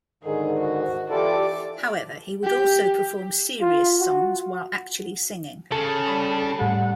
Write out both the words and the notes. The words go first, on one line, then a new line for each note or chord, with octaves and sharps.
However he would also perform serious songs while actually singing.
G#2 D3 D#3 G#4
F#4
E3 E4 F4 G4 A4 D5 D6
G4
F4
F#4
C#3 A4
G3 B5
A2 G3 F#5